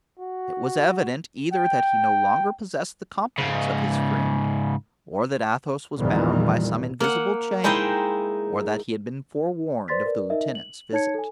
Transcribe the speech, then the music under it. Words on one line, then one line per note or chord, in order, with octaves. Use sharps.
It was evident either that he no longer possessed the confidence of his friend, or that Athos was bound by some invisible chain, or that he had been forewarned of the lieutenant's visit.
F#4
G5
G#2 C#3
A#1 E2 A#2 D#3 E3 G3
A#3 F#5
G#3 D#4 E4 C5 D#5 G5
B4 C5 D5 C6 A6 B6
A#4 B4 D5
D#4 A#4 D#5 E5
F#7
D#4 C#5 A5 G#6 C#7
A4 G#5